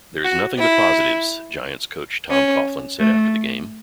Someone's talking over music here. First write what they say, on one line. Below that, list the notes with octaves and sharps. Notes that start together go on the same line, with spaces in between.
"There is nothing but positives", Giants coach Tom Coughlin said after the game.
F#4
E4
C#4
A3